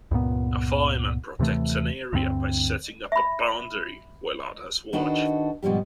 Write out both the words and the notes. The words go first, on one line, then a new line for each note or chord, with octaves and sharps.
A fireman protects an area by setting up a boundary while others watch.
C#2 G2 A#2 B3
D#2 C3 E3 A3
D2 G2 A3 C4
E5 B5
D#3 D4 D#4 F#4 A4 B4
G#2 B2 F3 G3 G4